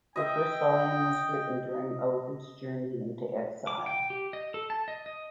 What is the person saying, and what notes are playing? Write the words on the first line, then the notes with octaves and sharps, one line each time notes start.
The first volume was written during Ovid's journey into exile.
D#5 E5 G5
D6
G5
G4
D#5
A4
A5
D#5
D#5